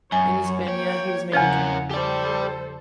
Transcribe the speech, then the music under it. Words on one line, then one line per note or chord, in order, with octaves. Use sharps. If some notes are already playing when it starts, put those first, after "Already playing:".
In Hispania he was made a count.
F#2 C#5 G#5
A#3 C#5 G5
E2 C#3 F3 C#4 A#4 F#5
G4 A4 C5 D5